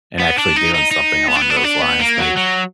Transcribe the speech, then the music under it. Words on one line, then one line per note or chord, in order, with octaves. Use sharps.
and actually doing something along those lines. My
B3
D4
D#4
D#4
D#4
B3
D4
B3
D4
B3
D4
B3
A#3
F#3
F#3